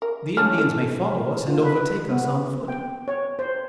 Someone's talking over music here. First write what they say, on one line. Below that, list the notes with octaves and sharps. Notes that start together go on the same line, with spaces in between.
"The Indians may follow us and overtake us on foot."
A#4
D3 C#4 A5 F6
A4
F4
B4
B3
G5
C#5
C5